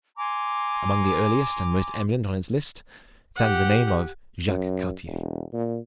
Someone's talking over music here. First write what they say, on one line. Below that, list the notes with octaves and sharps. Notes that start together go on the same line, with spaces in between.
Among the earliest and most eminent on its list stands the name of Jacques Cartier.
G#5 A#5 C6 D6
G4 F#5
F#2
E1
A#2